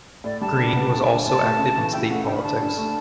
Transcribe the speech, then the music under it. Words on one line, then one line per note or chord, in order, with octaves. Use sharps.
Green was also active in state politics.
A2 D5
G3 A5
D4
B3
D2
D3
D2 A5
A3
C#3
E3
E4 G5
A3 F#5
G2 G5
B5
D3 A5
G2
A3